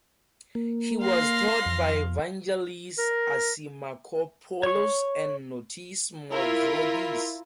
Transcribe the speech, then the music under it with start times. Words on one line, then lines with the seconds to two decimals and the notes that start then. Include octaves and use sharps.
He was taught by Vangelis Assimakopoulos and Notis Mavroudis.
0.55 A#3
1.02 F5 C6 A#6
1.66 F2
2.98 A#4
4.63 C#5 C#6
6.31 E4 F4 A#4